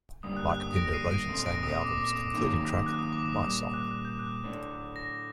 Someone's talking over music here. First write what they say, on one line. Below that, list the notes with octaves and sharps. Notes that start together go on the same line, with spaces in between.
Mike Pinder wrote and sang the album's concluding track "My Song".
G2 D3 G3 A#3 D4 D#6
F#6
F#6
D#6
A#6 D7
C7 D#7
D#7
A#6 D7
A#2 A3 C4
A#6 D7
D#6
D6
D6
D#6
D#3 F#3 A#3 D#4
F#6
D#6
D6
D#6
A#2 G3 A#3 D6
D#6
F#6
F#6
G6
F#6
A2 A3 D4
A#6